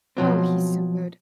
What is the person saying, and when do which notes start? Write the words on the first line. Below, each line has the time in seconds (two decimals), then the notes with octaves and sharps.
Oh, he's so good.
0.17 B2 F3 F#3 C4